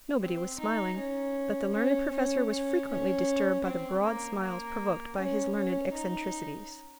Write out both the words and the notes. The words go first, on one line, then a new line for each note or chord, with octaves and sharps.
Nobody was smiling; but the learned Professor was frequently disturbed by the broad smiles provoked by his learned eccentricities.
C4
D#4
C#4
C#4
C#4
C#4
C#4
C4
A#3
A#3
C#4
C#4
D#4